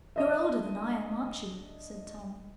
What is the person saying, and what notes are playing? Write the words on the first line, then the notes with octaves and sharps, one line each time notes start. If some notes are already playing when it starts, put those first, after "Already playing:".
"You're older than I am, aren't you?" said Tom.
D4 D#5 E5